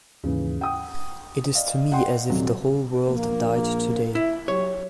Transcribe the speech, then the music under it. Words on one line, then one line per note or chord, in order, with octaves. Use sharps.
It is to me as if the whole world died today.
D#2 G#2 C#3 E3
F#5 G5 D#6
D5 D#5 F5
F#5 G5 C6
D#1 C3 F#3
A#1 A#3
E4
F#3 G4 C#5